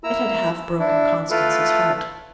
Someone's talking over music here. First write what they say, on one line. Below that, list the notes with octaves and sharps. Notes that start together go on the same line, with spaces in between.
It had half broken Constance's heart.
A#3 E4 A#5 E6
D4 E4
A3 E4 F4 A4 B4 F5